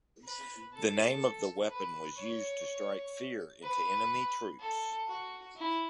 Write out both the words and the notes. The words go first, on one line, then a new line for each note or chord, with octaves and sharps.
The name of the weapon was used to strike fear into enemy troops.
B4
A4
B4
C#5
B4
A4
F#4
E4